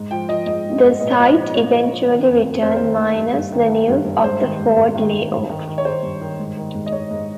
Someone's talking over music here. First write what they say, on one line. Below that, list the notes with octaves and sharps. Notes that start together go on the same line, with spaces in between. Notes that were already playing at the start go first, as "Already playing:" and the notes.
The site eventually returned minus the news of the Ford layoffs.
Already playing: G#2
F3 G5
F3 D#5
G#2 D#5
G#2
G#2
A#2 D#5
C#5
F3 D#5
F3
A#2 C#5
F3
F3
D#3
F2
F2
F2 C5
A#4
D#3 C5
D#3
G2
G2
D#3
D#3
G2
G2
G#2 C5
D#3
G#2
G#2
D#3
G#2
G2
D#3
D#3
C#5
D#3 C5
G2
D#3
G#2
D#3
G#2
D#5
G#2 C#5
G#2